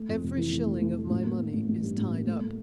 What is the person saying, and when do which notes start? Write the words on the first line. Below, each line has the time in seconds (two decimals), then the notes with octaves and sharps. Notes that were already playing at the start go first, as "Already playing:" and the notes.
Every shilling of my money is tied up.
Already playing: A3
0.09 F2
0.23 F1
0.37 E3
0.52 F1
0.66 A3
0.81 A3
0.95 A3
1.10 A1
1.25 A#3
1.39 A#3
1.53 A1
1.69 A1
1.83 G2
1.97 A1
2.12 A#3
2.27 A3
2.41 A3